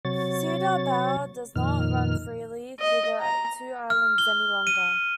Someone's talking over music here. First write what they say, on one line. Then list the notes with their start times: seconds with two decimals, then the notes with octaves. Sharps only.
Cedar Bayou does not run freely through the two islands any longer.
0.05 C3 F#3 C#5 A6
1.55 F2 A#2 D#3 F6
2.80 D#5
3.20 A#5
3.90 F6
4.18 G7
4.67 D#7